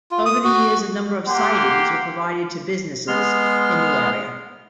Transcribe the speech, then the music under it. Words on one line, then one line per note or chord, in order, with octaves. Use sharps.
Over the years a number of sidings were provided to businesses in the area.
F4
D#6
F#4
A#3 G4 F#5 C6
G#3 B3 C6 F6